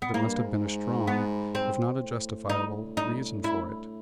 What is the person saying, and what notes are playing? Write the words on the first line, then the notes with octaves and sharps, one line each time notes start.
There must have been a strong, if not a justifiable, reason for it.
B3
G#2 A#3
G2
G#2
B3
C4
A2
D#4
D#4
E4